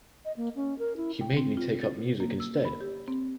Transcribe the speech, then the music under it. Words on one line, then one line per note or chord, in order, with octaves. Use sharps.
He made me take up music instead.
D#5
A#3
C#4
A#4
E4
G5
C4
F4
A6
A#3
E6
B5
G4
C4